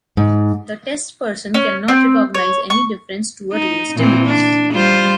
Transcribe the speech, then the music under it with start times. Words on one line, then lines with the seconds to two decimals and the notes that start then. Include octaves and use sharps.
The test person cannot recognize any difference to a real stimulus.
0.17 G#2
1.54 C#4
1.88 C4
2.34 C#5
2.70 C#6
3.53 D#4
3.96 A#2 E3 C4
4.26 D4
4.71 G3 F4 C5